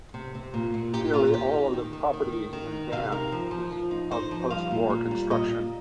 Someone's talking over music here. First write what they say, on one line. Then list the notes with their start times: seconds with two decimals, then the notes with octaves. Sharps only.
Nearly all of the property in Van is of post war construction.
0.14 C3
0.35 C3
0.54 A#2
0.74 A#2
0.93 A#2 G4
1.13 A#2 F4
1.33 D#3 G4
1.54 D#4
1.73 D#3
1.93 D#3
2.13 D#3
2.32 D#3
2.53 D#3
2.72 D#4
2.92 C3 F5
3.12 D#4 A#4
3.32 F3
3.51 F3
3.72 F3
3.91 D#4
4.11 D#4 C5
4.31 F3
4.50 G3 F5
4.71 A#2
4.90 A#2
5.11 G3
5.30 A#2 D#5